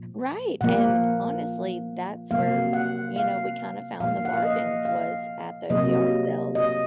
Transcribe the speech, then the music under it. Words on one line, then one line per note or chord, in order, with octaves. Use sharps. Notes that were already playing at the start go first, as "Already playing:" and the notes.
Right and honestly, that's where, you know, we kinda found the bargains was at those yard sales
Already playing: A#2 F3
A#2 F3 A#3 F#5
C3 F#3 A#3 F5
F#5
F5
A#2 F3 A#3 F5
F#5
F5
D#5
F5
C3 F#3 A#3 D#5
D#5